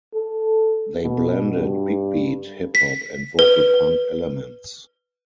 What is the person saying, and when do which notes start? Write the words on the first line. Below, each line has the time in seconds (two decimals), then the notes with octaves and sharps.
They blended big-beat, hip hop, and vocal punk elements.
0.14 A4
1.03 B2
1.54 G2
2.75 B6
3.39 B4